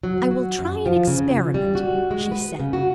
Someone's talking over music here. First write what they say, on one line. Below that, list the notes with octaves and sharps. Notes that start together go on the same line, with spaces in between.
"I will try an experiment," she said.
F#3
F#4
F#2
F3
C#3
F3
G3
F#4
G#3
B4
C#3
F#4